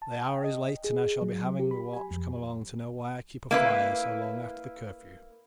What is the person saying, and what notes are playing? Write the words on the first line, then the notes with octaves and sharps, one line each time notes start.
The hour is late, and I shall be having the watch coming along to know why I keep a fire so long after the curfew.
A5
G5
D#5
G#4
F#3
G4
B5
G#5
F2
A#3 E4 B4